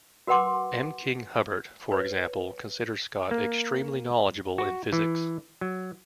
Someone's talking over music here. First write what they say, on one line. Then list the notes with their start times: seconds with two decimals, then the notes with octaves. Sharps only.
M. King Hubbert, for example, considered Scott extremely knowledgeable in physics.
0.27 F#4 A#4 B4 F#5 C6 D6
1.92 B4 C#5
3.31 A#3
4.58 F#4
4.93 E3
5.61 F#3